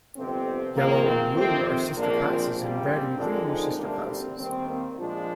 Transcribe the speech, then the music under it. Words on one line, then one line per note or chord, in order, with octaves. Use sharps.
Yellow and Blue are Sister Classes and Red and Green are Sister Classes.
G1 F2 C3 C4
A#1 G#2 D#3 A#3
C4
F2 C3 D#3 C4
A#1 G#2 F3 A#3 D4
C4
A#1 A#2 G3 A#3
C4
F2 D3 G#3 A#3 D4
C4 D#4
D2 C3 G3 A#3 D4
C4
D#2 D#3 G3 C4
A#3
A#1 A#2 F3 G#3 D4 F4